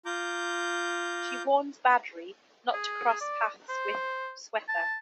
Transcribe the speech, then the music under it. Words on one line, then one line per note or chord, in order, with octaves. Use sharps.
She warns Badri not to cross paths with Swetha.
F4 A#5 D6 G6
G#4
D5
C5
A5